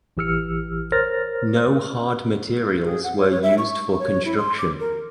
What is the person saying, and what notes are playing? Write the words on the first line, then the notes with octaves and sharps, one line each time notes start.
No hard materials were used for construction.
A1 E3 G4 E6 F6 C#7
A#4 C5 C#5 F6 A6 A#6
G#4
F#5
C#5
C#5
E5
C#6
C#5
E4
C6
D6
A#4